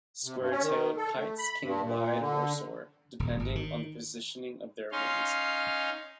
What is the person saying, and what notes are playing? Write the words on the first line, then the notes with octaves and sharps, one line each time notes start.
Square-tailed kites can glide or soar, depending on the positioning of their wings.
C3
G2
C#4
D#3
A4
A3
B5
G2
A#2
D3
D#1
G#1
D#3
C#4 D#4 F5 C6